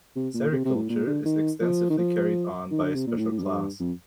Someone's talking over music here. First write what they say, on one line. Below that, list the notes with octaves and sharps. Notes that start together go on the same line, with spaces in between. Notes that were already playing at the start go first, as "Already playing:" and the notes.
Sericulture is extensively carried on by a special class.
C3
A#2
C3
C3
A2
A#2
D3
D#3
F3
D#3
F3
D#3
D3
C3
A#2
A2
A2
F2
G2
F2